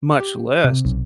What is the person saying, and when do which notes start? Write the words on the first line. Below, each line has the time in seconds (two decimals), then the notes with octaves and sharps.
much less,
0.20 G4
0.64 C3
0.85 B1